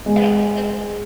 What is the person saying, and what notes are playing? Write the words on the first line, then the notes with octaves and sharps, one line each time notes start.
And eh eh
G#3